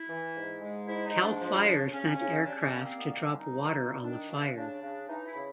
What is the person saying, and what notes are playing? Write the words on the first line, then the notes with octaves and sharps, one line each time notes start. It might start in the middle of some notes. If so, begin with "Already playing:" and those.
Cal Fire sent aircraft to drop water on the fire.
Already playing: E4
E3
G#2
G#3
G#2 E4
D#4
G#2
D4
F3
C#3
C#3 C#4
C#3
G3 D4
C#4
A#3 C#4
C4
D#3 B3
C4
G3 C#4
D#4
G2
G2
D#3 D4
G2
C#3 D4
C#3
E3 D#4
E4
C#3